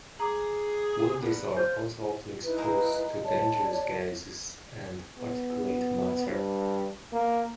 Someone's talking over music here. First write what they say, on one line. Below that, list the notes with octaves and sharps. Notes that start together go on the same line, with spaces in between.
Welders are also often exposed to dangerous gases and particulate matter.
G#4 A#5 D6
B3 D4
F4 C5 G6
D#4 E4 B4
G#3 A#3
C#5 D5 A5
B3
G2
A#3